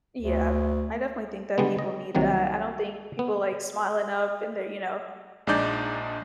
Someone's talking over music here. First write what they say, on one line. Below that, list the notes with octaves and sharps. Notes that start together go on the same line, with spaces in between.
Yeah. I definitely think that people need that. I don't think people, like, smile enough in their, you know,
D2
D3 G3 G#3 B3
D#5
C2 C3 D#3 F#3 A#3
B3
A#1 G#3 D4 D#4 D5 G6